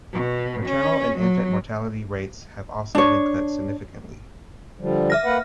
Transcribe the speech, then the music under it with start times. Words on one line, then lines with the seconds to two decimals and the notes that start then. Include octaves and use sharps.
Maternal and infant mortality rates have also been cut significantly.
0.13 B2
0.65 C#4
1.17 F#3
2.95 D4 C#5
4.79 D3 F3 G3
5.10 E5 F6 A#6
5.25 A#3 B4 F#5